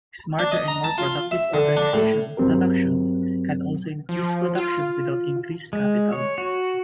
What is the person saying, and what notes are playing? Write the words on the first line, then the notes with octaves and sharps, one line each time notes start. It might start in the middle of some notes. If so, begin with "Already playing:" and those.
Smarter and more productive organization of production can also increase production without increased capital.
D4
D#5
A#5
A5
F4
E5
D3
D4
A2
G2 F#3 C4 G4 A#4
F3
F4
G#3
C#5
F#4